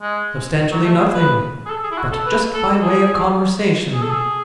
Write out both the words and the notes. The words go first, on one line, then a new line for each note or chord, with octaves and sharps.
"Substantially nothing--but just by way of conversation."
G#3
F#3
A3
G#4
B4
G#4
A4
G#4
E4
F#4
A4
B4
A4
G#4
G#4
A4
G#4